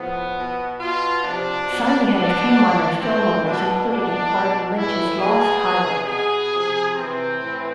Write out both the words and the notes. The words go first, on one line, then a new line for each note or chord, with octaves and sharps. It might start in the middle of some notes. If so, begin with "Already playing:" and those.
Syme had a few minor film roles including a part in Lynch's "Lost Highway".
Already playing: A2 F3 B3
B2
B2 F4
C3 F3 D4
B2
B2 D4
A2 F3
A2 E3 C4
B2 D4
B2 D4
B2
A2 E3 E4
B2 G#4
C3 E3
B2 G#4
C3 F3
C3 E3 C4
A2 E3